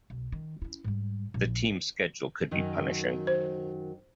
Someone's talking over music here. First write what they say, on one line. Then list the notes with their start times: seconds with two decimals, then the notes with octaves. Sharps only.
The team's schedule could be punishing.
0.10 B1
0.32 D#3
0.62 C#4 E4
0.84 G#2 G3
1.34 A#1
2.51 F#2 D#3 F#3
3.27 C5